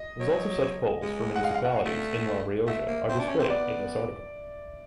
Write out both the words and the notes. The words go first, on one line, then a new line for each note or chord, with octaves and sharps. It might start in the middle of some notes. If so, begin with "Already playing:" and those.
Results of such polls for municipalities in La Rioja are displayed in this article.
Already playing: D#5
F#3
G#3
F#5
F5
F5
F#5
F5
A3
A3 E5
A#3
C4
D4
C#4
C4
B3 D5